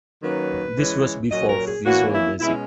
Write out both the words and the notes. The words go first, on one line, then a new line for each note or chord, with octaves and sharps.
This was before Visual Basic.
D#3 F#3 A#3 C#4 B4
E3 G#3 C#4
A#2 F#3 C#4 D#5
A#4
G#4
E3 A#3 C#4 F#4
E4
B2 G#3 C#4 E4